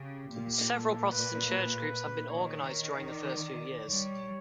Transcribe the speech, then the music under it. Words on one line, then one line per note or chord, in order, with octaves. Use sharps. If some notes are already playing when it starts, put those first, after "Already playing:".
Several Protestant church groups had been organized during the first few years.
Already playing: C#3 G4
A#2
A4
B4
D#3 C#5
D5
G3 C#5